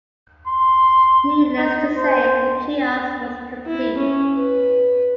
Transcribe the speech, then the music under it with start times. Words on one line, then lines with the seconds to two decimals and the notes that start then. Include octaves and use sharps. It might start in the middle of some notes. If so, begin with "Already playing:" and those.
Needless to say, the chaos was complete.
0.47 C6
1.57 D#4
1.97 C5
3.67 E4
3.98 C#4
4.35 B4